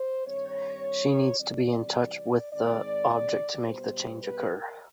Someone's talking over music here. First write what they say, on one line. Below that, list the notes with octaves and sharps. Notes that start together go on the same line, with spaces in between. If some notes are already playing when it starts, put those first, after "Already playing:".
She needs to be in touch with the object to make the change occur.
Already playing: C5
G2 D#3 G3 C4 C#5
E2 C3 E3 G3 C4 D5
G#2 D#3 G#3 C4 D5
B2 G3 B3 C5
B4
A#4